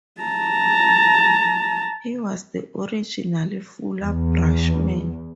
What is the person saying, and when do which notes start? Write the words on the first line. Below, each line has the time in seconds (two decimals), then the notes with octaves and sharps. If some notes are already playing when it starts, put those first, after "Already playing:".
He was the original Fuller Brush Man.
0.21 A5 A#5
4.01 E2